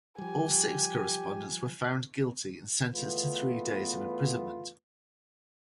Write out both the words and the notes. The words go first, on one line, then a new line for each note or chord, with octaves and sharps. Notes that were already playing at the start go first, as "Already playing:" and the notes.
All six correspondents were found guilty and sentenced to three days of imprisonment.
F3 G3 G4 G#5
E2 A3 B3 F4 B4